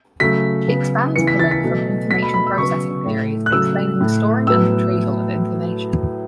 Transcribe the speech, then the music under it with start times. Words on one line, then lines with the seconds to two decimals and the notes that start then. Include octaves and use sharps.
She expands pulling from Information processing theories explaining the storing and retrieval of information.
0.20 C#3 F#3 A3 B6
0.68 C#3 F#3 B3
1.15 C#3 E3 B3 C#7
1.27 B6
1.39 A6
1.51 B6
1.63 B2 F#3 A3
2.11 B2 A3 B6
2.22 B5
2.34 B5
2.47 E6
2.58 C#3 F#3 B3 C#6
3.06 A2 A3
3.46 F#6
3.52 C#3 F#3 A3 E6
4.01 A2 A3
4.47 A2 F#3 B3 E6